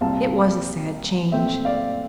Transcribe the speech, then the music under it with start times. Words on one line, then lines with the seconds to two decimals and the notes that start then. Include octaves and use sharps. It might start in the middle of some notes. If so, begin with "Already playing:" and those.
It was a sad change.
0.01 C2 A#2 G3 C4 F5 A5
1.32 A#2 A3 C4 E5 G5
1.65 D5 F5